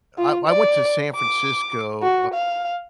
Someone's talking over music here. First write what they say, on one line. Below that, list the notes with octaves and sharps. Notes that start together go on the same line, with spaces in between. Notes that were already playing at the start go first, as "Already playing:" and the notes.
I I went to San Francisco,
F4
D5
D6
F#4
F5